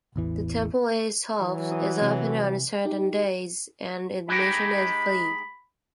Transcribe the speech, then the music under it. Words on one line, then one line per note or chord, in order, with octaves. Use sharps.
The temple itself is open on certain days, and admission is free.
A1 E2 E3
E3 F#3
D#6
C3
D#4 G4
G#3 D#4 G4 B5